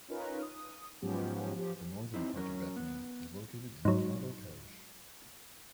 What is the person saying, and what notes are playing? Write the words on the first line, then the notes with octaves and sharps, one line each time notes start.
The northern part of Bethany is located in Caddo Parish.
C#4 D#4 F4 A#4 B4
D#6
G#2 F3 F#3 B3 C#4 G4
F3 G4
C4 D#4 E4
F#3 C#4 A#4
B3
G#2 F#3